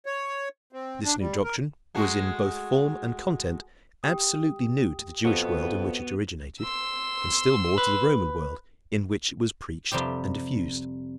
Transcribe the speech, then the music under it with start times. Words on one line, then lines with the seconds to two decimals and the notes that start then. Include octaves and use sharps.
This new doctrine was in both form and content absolutely new to the Jewish world in which it originated, and still more to the Roman world in which it was preached and diffused.
0.06 C#5
0.73 C4
1.05 D4
1.19 G3
1.44 A#4
1.95 G#3 A3 F#4
4.03 G4 G5 D#6
5.25 F2 B3 F#4
6.62 C6 E6
7.78 B4
9.91 F2 C3 G3 G4